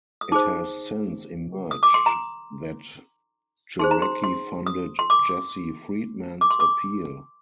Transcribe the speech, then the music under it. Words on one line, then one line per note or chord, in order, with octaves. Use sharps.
It has since emerged that Jarecki funded Jesse Friedman's appeal.
D#6
D#4 G#4 C5 D6
D#6
D6
C6
A#5
D#4 G#4 C5 C6
A#5
C6
C6
D#6
C6
D6
D6
C6
D6